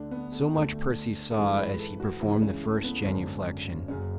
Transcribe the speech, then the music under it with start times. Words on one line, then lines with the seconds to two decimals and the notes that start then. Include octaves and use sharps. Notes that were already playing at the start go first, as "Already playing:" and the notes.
So much Percy saw as he performed the first genuflection.
Already playing: D2 D3 D4
0.11 B3
0.32 A3
0.53 D2 D3 A3
1.31 A4
1.36 G#1 G#2 E3 G#4
1.58 B4
1.80 A4
2.00 F#4
2.20 C#2 C#3 E3 E4
2.42 C#4
2.63 A3
2.84 B3
3.04 G#1 F#2 D3 C#4
3.88 F#1 F#2 C#3 C#4